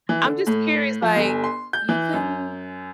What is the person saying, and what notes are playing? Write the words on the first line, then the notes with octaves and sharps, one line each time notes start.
I'm just curious, like, "You couldn't,
E3
D3
A2
F3
G1
C6
G6
E3
F#2